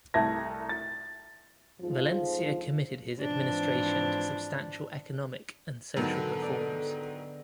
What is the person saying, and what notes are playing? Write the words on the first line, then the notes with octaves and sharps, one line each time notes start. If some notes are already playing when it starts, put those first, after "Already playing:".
Valencia committed his administration to substantial economic and social reforms.
C2 A3 A5 G#6 A#6
A6
F2 G#2 F3
G#2 E3 F3 C4 D4
G#2 D3 D#3 F#3 B3 A4
D5